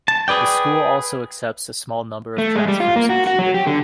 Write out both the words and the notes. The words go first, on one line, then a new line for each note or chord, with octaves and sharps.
The school also accepts a small number of transfers each year.
A5
G#4 B4 D5 G5
A3
G#3
G3
F4
A#3
F#4
F#4
F#3
G4
D3